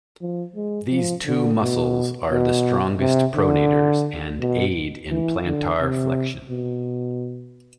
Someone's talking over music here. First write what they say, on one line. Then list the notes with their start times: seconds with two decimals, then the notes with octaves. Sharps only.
These two muscles are the strongest pronators and aid in plantar flexion.
0.21 F3
0.56 G#3
0.90 F3
1.26 D3
1.61 B2
2.31 B2
3.00 C3
3.36 D3
4.40 B2
5.11 E3
5.45 D3
5.80 C3
6.50 B2